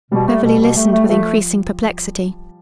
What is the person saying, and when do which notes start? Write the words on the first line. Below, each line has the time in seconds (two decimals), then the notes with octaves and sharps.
Beverly listened with increasing perplexity.
0.11 B2 G3
0.28 A3
0.44 B2
0.60 B2
0.76 A3
0.93 A3
1.09 F3 A3